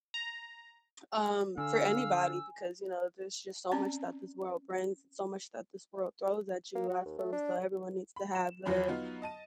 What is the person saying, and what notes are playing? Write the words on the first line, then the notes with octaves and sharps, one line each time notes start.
um, for anybody, because, you know, there's just so much that this world brings and so much that this world throws at you, I feel as though everyone needs to have their
A#5
D3 F5 G#5 E6
C4 C#4 D5 A#5
A#3
F#4
D#2
A3
D4
B5
E7
E2 F3 F#3 G#5 B5
F#3 B3 D#4 F4
D#5 A5 D#7